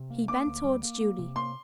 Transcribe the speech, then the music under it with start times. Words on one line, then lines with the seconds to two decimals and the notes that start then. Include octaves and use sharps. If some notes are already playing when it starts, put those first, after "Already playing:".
He bent towards Julie.
Already playing: C3
0.10 A#3
0.28 A#3 D6
0.47 D2
0.64 G3
0.83 A#3
1.01 A#3
1.19 C3
1.36 A#3 C6